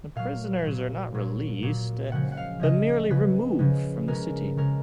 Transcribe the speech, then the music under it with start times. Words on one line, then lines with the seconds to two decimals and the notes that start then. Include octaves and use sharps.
The prisoners are not released, but merely removed from the city.
0.15 A#2 F#3 F5
0.64 A#2 F#3
1.14 A#2 F#3
1.63 A#2 F#3
2.12 C#3 F3 G#3 F#5
2.32 F#5
2.37 F5
2.60 C#3 F3 G#3 D#5
3.10 C#3 F3 G#3 B4
3.59 C#3 F3 G#3
4.08 C#3 G#3 A#4
4.57 C#3 G#3 A#4